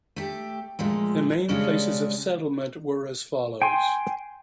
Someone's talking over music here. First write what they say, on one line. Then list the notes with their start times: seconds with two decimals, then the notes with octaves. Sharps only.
The main places of settlement were as follows.
0.16 A3 G4
0.79 A#2 F3 G#3 A3
1.48 C#3 G3 G#3 C#4 D4
3.62 G5 G#5 C6